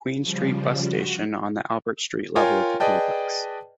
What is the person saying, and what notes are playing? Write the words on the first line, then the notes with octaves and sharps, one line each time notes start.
Queen Street Bus Station on the Albert Street level of the complex.
C#3 F3 G3
F#4
F4 A#4 C#5 G5 G#5
G#4 B4 D5 D#5 G5 A5